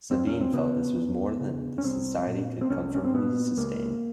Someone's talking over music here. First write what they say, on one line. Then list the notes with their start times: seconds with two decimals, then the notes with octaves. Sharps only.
Sabine felt this was more than the Society could comfortably sustain.
0.10 E2 C4
0.27 C#4
0.41 C4
0.53 C#3 B3
0.96 E2
1.40 C#3
1.78 C#4
1.84 C2 C4
2.27 A#2
2.61 C4
2.70 C2 C#4
2.95 C#4
3.05 C4
3.14 A#2 B3
3.57 C#2 A#3